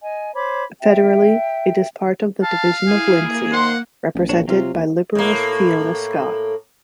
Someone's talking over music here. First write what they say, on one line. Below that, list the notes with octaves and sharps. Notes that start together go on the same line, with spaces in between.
Federally, it is part of the Division of Lindsay, represented by Liberal's Fiona Scott.
D#5 G#5
C5 C#5 B5 D6
E5 G5
F5 A5
E4 G#4
A#3
D#3 C5 F#5 C6
A1
A#1 D4 C#5
C3 F#3 F4
D#2
A2 A#3